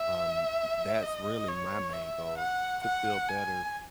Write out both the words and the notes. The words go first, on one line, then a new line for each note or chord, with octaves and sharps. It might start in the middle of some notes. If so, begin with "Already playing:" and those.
um, that's really my main goal, to feel better.
Already playing: E5
D#5
C#5
E5
F#5
F#5
G#5